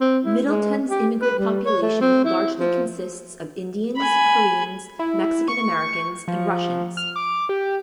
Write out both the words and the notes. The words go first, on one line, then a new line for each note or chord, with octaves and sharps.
Middletown's immigrant population largely consists of Indians, Koreans, Mexican Americans and Russians.
C4
E4
G#3
G4
B4
G3
C#5
A3
C4
E4
F3
G#5 B5
E4
C#6
F3
F6
D6
G4